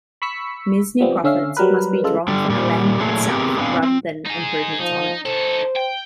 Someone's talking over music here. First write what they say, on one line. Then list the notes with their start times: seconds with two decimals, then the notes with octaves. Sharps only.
Mesne profits must be drawn from the land itself, rather than improvements on it.
0.22 B5 C#6 E6 B6 C#7
1.00 F3 G3 B3 C4
1.24 D3 C#4 E5 F5 C7
1.57 F#3 G3 A#4 B4
2.04 C#3 G#3 F4 A4
2.28 D3 G3
2.50 A#2 G3
3.00 A#2 F#3 A3 G#4 C#5
3.29 B3 C4 G4 G#4 A#4
3.58 B3 C4 D4 F5 G#5
3.83 C4
4.26 D#4 G#4
4.80 F3 D#4
5.26 D#4 A4 C5
5.76 G5